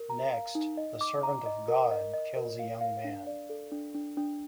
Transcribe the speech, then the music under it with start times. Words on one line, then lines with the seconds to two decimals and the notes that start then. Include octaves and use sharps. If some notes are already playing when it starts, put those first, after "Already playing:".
Next, the Servant of God kills a young man.
Already playing: A#4
0.10 A#5
0.33 F5
0.55 D#4
0.77 D#5
1.01 D6
1.23 A#5
1.46 D#5
1.68 A#4
1.91 D#5
2.14 D#5
2.36 A#4
2.59 F5
2.81 F5
3.05 D4
3.27 D5
3.50 A4
3.72 D4
3.94 D4
4.17 D4